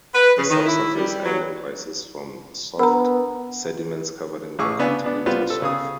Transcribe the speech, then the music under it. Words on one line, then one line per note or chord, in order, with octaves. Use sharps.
A subsurface island rises from soft sediments covering the continental shelf.
B4
C#3
D#3
E4
G3
F#3
B3 D4 A#4 B4 F#5 A#5 B5
A1 G#4 C#6 D6 E6
C#3 B3 D4 G#5
B3 D4
G3 B3 C4 F4
A4
C#3 G#4 D#6